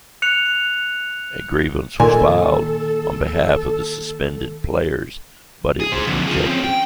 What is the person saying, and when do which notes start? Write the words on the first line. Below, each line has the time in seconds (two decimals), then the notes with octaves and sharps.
A grievance was filed on behalf of the suspended players, but it was rejected.
0.22 F#6 C#7 F7
2.00 A#2 D#3 A#3 A4 G#5
5.80 G#4
5.92 G#4 C5
6.07 F2 D3
6.27 F4 G#4
6.46 C4 C#4
6.64 G5